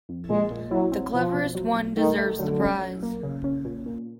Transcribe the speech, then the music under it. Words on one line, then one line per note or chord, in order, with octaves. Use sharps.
The cleverest one deserves the prize.
F2
A#2 G#3
A#2
F#3 E4
C4
B2 F3
B2
F#3
B2
D#3 A3
A3
D3 F#3
C#4
F#3
A#3
C#3
C#4
A#2
A#2